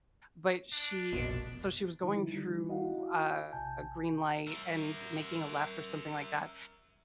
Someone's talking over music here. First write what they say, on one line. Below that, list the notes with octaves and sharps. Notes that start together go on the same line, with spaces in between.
but she so she was going through a green light, and making a left or something like that,
D4
F1 A#1 B2
D3 D#3 F3 G3 D#4 E4
G3 D#4 F4 G4
E4 F#4 D#5 F5 F#5
A#1 C3 G#5 A5 G6
A#4 E5